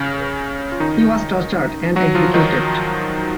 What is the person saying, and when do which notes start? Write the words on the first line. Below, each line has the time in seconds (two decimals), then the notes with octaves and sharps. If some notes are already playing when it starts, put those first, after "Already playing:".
He was tortured and executed.
Already playing: C#3 C#4
0.72 F4
0.80 D#3 D#4
1.96 F#3 F#4
2.15 F3 F4
2.34 D#3 D#4